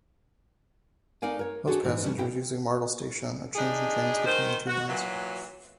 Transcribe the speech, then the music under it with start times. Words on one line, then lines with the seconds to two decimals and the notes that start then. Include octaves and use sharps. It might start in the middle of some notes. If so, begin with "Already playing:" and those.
Most passengers using Myrdal station are changing trains between the two lines.
1.22 A3 D#4 A#4 D5 F5 G#5
1.39 A#4 C#5
1.67 D4 F#4 G#4 A4 C#5
1.83 G#2 E3
2.03 E3 G3 A3 A#3 C#4 D4
2.18 A#2 C#3 E4 G5
3.56 A2 D4 D#4 G#4
4.26 D#3 C5
4.67 F#4
4.87 A#2 E3 F#3